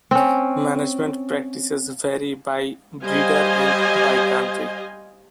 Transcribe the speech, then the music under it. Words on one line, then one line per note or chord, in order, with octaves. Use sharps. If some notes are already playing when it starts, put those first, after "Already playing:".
Management practices vary by breeder and by country.
C4 C#4
G3 G4 C5 D#5 F5 G#5